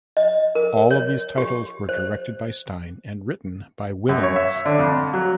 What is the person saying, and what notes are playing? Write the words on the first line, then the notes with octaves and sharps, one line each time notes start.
All of these titles were directed by Stein and written by Willens.
D#5
A#4
C#5
G4
C5
F#2
C#5
E5
D3
F2
F#3